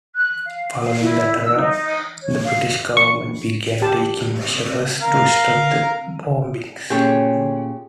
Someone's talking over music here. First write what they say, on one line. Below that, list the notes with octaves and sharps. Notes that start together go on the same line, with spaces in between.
Following the terror, the British government began taking measures to stop the bombings.
F#6
F5
F5
E4
E6
D#4
C#5
F5
C#6
G4 A5
A#4 F5 A#5
A#2 A3 C#4 G4 G#4 C#5